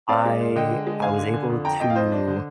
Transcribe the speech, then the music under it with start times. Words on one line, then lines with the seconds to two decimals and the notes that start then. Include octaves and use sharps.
I I was able to
0.09 C4 D5 F5
0.25 G#3
0.40 A#2
0.56 D3 D#5 G5
0.71 G#3
0.87 G#3
1.02 D3 F5 G#5
1.19 D3
1.34 D3
1.49 F2
1.65 F2 G5 A#5
1.80 F2 D#5 G5
1.90 F5
1.95 F2 C5 D#5
2.12 D4
2.28 D3